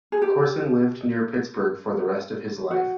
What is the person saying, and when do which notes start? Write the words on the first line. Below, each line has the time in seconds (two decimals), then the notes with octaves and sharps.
Courson lived near Pittsburgh for the rest of his life.
0.12 G#4
0.22 G4
2.71 F#4